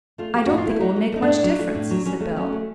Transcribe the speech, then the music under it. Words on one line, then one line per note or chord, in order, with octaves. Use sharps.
"I don't think it will make much difference," said Bell.
A3 F4
A3 G4
A2 F#4
F4
A3 E4
F#3 D#4
A3
A3 D#4
D4
A2
F#3
A3
A2
F#3
F#3 C#4
A3
F#3 C#4
A3